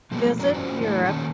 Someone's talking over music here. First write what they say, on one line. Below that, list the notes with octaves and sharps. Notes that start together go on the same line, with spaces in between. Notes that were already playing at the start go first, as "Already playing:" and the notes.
visit Europe.
A#2 F3 F#3 G#3 A3 B3
F#2 E3 F#3 D4 A#5
C#4 F4 F#4 C5 D5
E2 A2 A3 D4 E4
A#2 D#3 C#4 A5